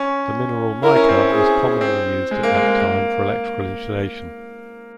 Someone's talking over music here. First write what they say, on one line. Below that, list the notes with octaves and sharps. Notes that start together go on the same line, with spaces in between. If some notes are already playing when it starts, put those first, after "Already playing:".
The mineral mica was commonly used at that time for electrical insulation.
Already playing: C#4
E4 A#4
C#4
C4
C#4
G#4
C4
G#3
A#3
G#3
G#3
A#3